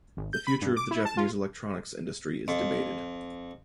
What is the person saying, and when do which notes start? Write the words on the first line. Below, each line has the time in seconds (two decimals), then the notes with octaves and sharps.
The future of the Japanese electronics industry is debated.
0.17 G#1
0.33 G6
0.47 B5
0.62 G2
0.76 D6
0.91 E4
1.05 A5
1.17 F4
2.48 F2